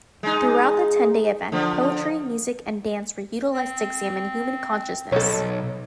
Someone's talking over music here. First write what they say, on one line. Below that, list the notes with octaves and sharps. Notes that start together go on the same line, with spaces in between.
Throughout the ten-day event, poetry, music, and dance were utilized to examine human consciousness.
G#3 D#4
D3 F3
C4
B1 A4 C#5